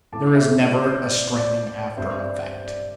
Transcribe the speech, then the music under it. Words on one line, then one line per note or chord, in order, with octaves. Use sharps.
There is never a straining after effect.
A2 A3 C4 A5 D6
C5 E5
D5
C5
D5
D5
D5
G2 G3 C4 C5 E5
D5
C5
D5